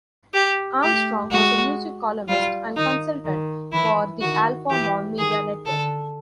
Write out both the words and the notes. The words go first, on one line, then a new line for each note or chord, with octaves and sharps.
Armstrong was a music columnist and consultant for the Alpha Mom media network.
G4
A3 G4
G#3 F#4
G3 F4
D#3 D#4
D#3
E3 E4
D#3 F#4
E3 G4
D#3 G#4
D3 A4